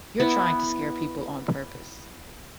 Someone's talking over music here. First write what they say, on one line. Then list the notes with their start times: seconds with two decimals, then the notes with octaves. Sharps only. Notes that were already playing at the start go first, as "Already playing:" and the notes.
You're trying to scare people on purpose.
0.20 B3 E4